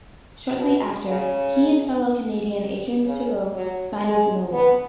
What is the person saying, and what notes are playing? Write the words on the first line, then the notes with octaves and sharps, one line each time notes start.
Shortly after, he and fellow Canadian Adrian Serioux signed with Millwall.
B2
C#3
C#3
F#3
G#3
B3